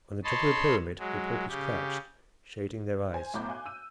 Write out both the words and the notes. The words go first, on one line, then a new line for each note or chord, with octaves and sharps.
On the top of the pyramid the paupers crouched, shading their eyes.
C#5 D#5 A5 B5 C6
F#3 G#3
C#3 G4
C5 G#5
B1 A2 B3 A#5 D6 G6
F5 G#5 D6 F#6 G6
E6 D#7